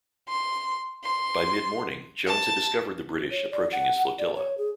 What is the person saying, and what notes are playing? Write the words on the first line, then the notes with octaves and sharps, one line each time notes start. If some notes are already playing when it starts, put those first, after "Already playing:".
By mid-morning Jones had discovered the British approaching his flotilla.
C6
C6
A5
C#5
D5
F#5
D5
C#5
G#4